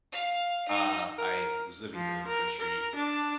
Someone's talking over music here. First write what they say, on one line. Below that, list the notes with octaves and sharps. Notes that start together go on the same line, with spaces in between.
uh, I was living in another country,
F5
D#4
A#4
F3
A#4
A#4
D4